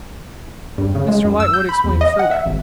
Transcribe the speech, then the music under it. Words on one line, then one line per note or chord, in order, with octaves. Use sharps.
Mr Lightwood explained further.
G2
C#3
G#3
F#2
E6
G6
B5
E2
D#5
F#5
E5
G#1